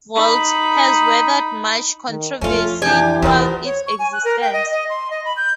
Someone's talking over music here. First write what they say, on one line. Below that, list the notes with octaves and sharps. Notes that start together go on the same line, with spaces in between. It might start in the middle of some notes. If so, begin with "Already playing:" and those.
"Vault" has weathered much controversy throughout its existence.
D#4 B5
D#3
F2 A3 C#4 F4
E3 D4 G4 G#5
E2 F3 B3 A#4 C5
C#5
C#6
G#5
F#6
A#4
G5
D#5
D#5
C6
D#5
B5
G6